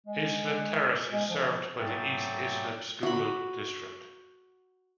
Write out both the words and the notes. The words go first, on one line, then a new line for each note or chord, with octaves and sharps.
Islip Terrace is served by the East Islip School District.
G#3
G#3
F3
G#2 F#3 A3 D5 G5 A6
F#4 B5